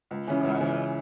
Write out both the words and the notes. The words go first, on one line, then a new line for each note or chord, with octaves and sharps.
but I, uh,
C#2
C#3 E3 C#4
C#2
C#3 E3 C#4